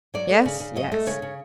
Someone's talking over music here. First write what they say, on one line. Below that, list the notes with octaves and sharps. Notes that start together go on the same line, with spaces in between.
"Yes, yes."
F#3 D5
A3
C#3
C#3
F#3 D#5
A3
C#3 C#5
C#3